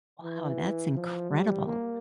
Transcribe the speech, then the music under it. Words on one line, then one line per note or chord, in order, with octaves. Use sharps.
Wow, that's incredible.
E3
F3
G3
A#3